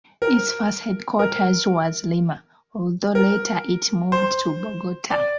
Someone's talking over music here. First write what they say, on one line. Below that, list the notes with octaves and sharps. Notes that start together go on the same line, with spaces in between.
Its first headquarters was Lima, although later it moved to Bogota.
A#4
A#4
A#4
C5
D5